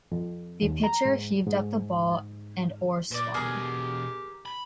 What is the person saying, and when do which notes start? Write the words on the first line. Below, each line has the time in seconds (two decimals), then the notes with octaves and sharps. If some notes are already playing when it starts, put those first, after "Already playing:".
The pitcher heaved up the ball and Orr swung.
0.12 F2
0.62 D#2
0.84 A#5
1.05 G#2
1.47 G#2
3.11 A#2 C5 D5
3.34 E2 B2 G4 G#4 A#4
4.46 B5